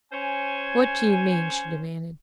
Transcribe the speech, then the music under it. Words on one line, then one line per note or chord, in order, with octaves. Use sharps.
"What do you mean?" she demanded.
C#4 C5 C#5 G#5